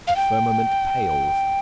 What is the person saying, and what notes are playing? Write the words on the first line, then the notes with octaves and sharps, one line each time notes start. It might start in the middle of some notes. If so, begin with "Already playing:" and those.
The firmament pales.
F5
G5